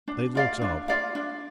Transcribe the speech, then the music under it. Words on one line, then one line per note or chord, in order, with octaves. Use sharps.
They looked up.
D4
F4 D5 F5
D4
F4 D5 F5
D4